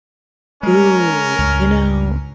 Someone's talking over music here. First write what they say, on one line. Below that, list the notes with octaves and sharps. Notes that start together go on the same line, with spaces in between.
Ooh, you know,
G#3 C#4 A#4
C#2 G2